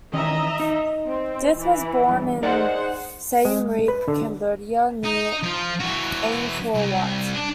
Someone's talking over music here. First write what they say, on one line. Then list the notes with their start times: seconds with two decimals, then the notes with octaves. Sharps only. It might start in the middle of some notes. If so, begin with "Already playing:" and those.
Dith was born in Siem Reap, Cambodia near Angkor Wat.
0.13 D#3 E3 C#4 D#5 E5 A#5
0.60 D#4
1.06 C4
1.58 E3
2.08 E2 G2
2.43 D#4 G#4 A#4 C5 D5 F#5
3.45 G#3
3.88 B4
4.08 D3
5.04 D#4
5.43 F3 F4
5.80 E3 F#4
6.74 C2
7.34 D4